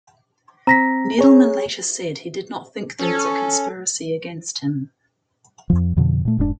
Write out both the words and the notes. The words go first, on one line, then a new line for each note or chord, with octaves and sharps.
Needleman later said he did not think there was a conspiracy against him.
C4 A#5 A#6 B6
G#4 C#5
C#4 A4
F2 F3
F2 B2 D3 F3
A#2 A3
F1 G#2 B2 D4